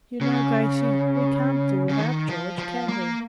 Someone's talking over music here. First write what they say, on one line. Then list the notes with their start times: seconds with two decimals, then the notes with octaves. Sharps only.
'You know, Gracey, we can't do without George, can we?
0.21 C#3
1.89 C#3
1.99 D#3
2.29 F3
2.58 F3
2.88 A#3